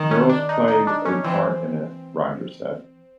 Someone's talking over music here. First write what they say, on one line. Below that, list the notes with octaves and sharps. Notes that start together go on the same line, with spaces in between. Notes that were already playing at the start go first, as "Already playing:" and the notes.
The girls played a part in it, Rogers said.
Already playing: D#3
C#4
D4
D#4
D#4
D4
C#4
E3 C4